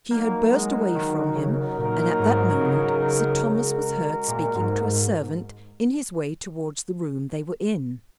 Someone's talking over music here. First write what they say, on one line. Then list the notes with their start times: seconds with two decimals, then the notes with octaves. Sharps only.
She had burst away from him, and at that moment Sir Thomas was heard speaking to a servant in his way towards the room they were in.
0.11 F#3 A#3 D#4 F#4 A#4
0.53 G#3
0.95 D#3
1.35 C#3
1.78 A#2 F#3 D#4 A#4
2.19 G#2
2.61 C#3
3.44 G#3 F#4 A#4
4.28 A#2
4.55 G#2
4.84 G#2